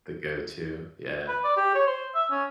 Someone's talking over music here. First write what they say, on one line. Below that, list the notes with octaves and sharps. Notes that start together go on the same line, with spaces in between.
The go-to. Yeah.
B4
D5
G4
C#5
C5
E5
C#4